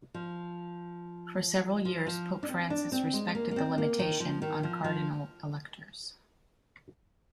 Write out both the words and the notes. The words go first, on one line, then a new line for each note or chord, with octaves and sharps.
For several years Pope Francis respected the limitation on cardinal electors.
F3
F3
F3
D4
C4
D4
C4
G#3
A#3
A#3
C4
A#3
D#3
F3
D#3
F3
F3